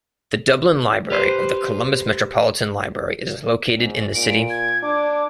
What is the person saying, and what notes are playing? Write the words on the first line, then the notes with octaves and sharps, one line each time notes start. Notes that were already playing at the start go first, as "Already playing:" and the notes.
The Dublin Library of the Columbus Metropolitan Library is located in the city.
G4 B4 C5
G#2
A#2 D7
G#6
D4 D6